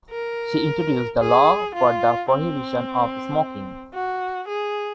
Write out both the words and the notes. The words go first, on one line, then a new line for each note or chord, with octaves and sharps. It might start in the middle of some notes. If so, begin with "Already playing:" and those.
She introduced the law for the prohibition of smoking.
A#4
G#4
F4
C4
F#4
G#4